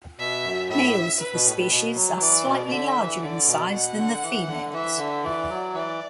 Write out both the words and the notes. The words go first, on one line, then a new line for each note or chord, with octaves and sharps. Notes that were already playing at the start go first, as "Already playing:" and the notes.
Males of the species are slightly larger in size than the females.
B2 E5
F#2
A2 E5
B4
B2
A2
A2
B2
F#3
E3 D5
B2
B2
D3 E5
E3
D3 D5
B2
B2 F#5
D3
E3
D3
E3 E5
D3
E3 D5
F#3
E3 D5